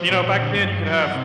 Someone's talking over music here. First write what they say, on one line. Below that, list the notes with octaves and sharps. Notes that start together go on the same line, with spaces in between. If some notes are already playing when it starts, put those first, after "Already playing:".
You know, back then, you could have
Already playing: F#3 C5
A#2
A#2
D3
G2
G2
F#3
C3 F#5